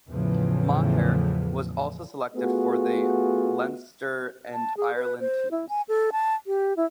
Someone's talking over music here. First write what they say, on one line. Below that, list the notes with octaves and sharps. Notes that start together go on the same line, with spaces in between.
Maher was also selected for the Leinster and Ireland teams.
E2 A2 C#3 E3 F3
A3 B3 F4 F#4 G#4
A5
G#4
B4
C5
E4
G#5
A4
A5
G4
E4